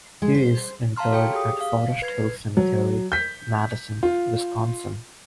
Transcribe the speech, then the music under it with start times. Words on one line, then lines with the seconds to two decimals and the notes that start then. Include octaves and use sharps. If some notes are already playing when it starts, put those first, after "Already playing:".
He is interred at Forest Hill Cemetery, Madison, Wisconsin.
0.22 G#3
0.34 C5
0.97 F5 A5 A#5 C6 F6
1.12 F#4 A4 C#5 F5 G5
1.32 G4 G#4 D#6
1.61 F5
2.02 B4 G#6 C7
2.57 F#3
3.12 G6 B6
4.03 F4